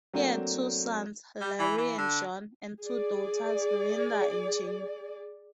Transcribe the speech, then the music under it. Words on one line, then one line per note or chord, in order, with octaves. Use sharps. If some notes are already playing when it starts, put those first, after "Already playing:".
He had two sons, Larry and John and two daughters, Linda and Jane.
F#3 A3 A#3 C4 D4 F#4
G3
E3
E3
D3
G#4 D5